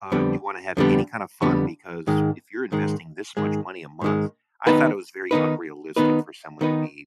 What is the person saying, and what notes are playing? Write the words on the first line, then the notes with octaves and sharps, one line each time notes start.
Uh, do you wanna have any kind of fun? Because if you're investing this much money a month I thought it was very unrealistic for someone to be
F2 D3 G3 B3
F2 D3 G3 B3
F2 D3 G3 B3
G#2 D#3 G#3
G#2 D#3 G#3
G#2 D#3 G#3
G#2 D#3 G#3
D#3 B3 D#4 B4
D#3 B3 D#4 B4
D#3 B3 D#4 B4
D#3 B3 D#4 B4